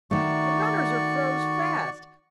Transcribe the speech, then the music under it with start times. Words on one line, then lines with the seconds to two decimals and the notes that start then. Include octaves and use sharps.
The runners are froze fast.
0.11 D#3 A3 F#4 D5 C#6